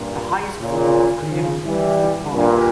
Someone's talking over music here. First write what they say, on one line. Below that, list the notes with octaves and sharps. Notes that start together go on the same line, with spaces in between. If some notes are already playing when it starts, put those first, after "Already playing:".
The highest form of community is the polis.
Already playing: G2 A#2
A#2 C#3
C#3 F3
E3 G3
G2 A#2